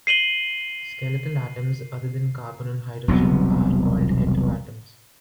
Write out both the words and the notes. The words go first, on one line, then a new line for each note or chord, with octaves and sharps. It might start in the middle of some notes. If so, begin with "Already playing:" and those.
Skeletal atoms other than carbon or hydrogen are called heteroatoms.
C7 D#7 F#7 G7
E1 C2 F#3 B3